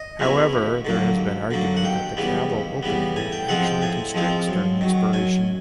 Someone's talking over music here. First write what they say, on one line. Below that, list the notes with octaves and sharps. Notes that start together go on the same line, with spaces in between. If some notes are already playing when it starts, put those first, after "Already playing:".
However, there has been argument that the caval opening actually constricts during inspiration.
Already playing: D#5
B2 G#3 C#4 E4
D#2
D3 F#3 A#3
D#2
D3 F#3 A#3
F#5
D#2 G5
C#3 E3 G3 B3
D#2
C#3 E3 G3 B3
A2 G#5
G5
F3 G#3 C4 F4 F#5
G5
A2 G#5
F3 G#3 C4 F4
F#2
D#3 F#3
F#2 G#5